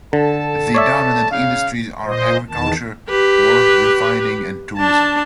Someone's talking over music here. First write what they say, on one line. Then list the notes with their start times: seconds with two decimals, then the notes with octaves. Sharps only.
The dominant industries are agriculture, ore refining, and tourism.
0.13 D3 A4 A5
0.75 C#5 D5 E5
1.31 C#3 F5
2.06 A#2 C5 D#5
2.49 E2 D#3 A5
3.09 G4 B4
4.77 D4 A5